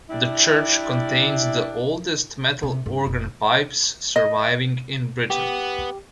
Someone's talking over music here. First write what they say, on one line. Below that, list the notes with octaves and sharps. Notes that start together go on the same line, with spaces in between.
The church contains the oldest metal organ pipes surviving in Britain.
G3 D4 E4
C3
G2
F1
D#5
B3 G4